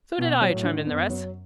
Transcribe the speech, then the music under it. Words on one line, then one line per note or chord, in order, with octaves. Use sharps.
"So did I," chimed in the rest.
B2 B3
F#3
A2
D3
F#2 B3
F#3